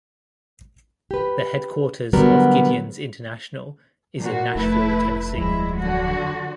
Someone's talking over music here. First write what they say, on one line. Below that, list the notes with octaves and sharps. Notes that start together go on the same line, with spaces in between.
The headquarters of Gideons International is in Nashville, Tennessee.
G4 B4
D3 F#3 G3 B3 F#4 A#4
A#2 F#4
F1 A3 E4 B4
D1 F2 G3 G#3 E4
D3 F#3 F#4